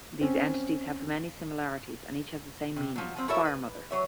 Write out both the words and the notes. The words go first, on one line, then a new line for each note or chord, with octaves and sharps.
These entities have many similarities, and each has the same meaning, fire mother.
C4 C#4
C3
F3 F#3
F3 C4
E4 F#4 A4 A#4 C#5 E5
B4
F#3 C#5 E5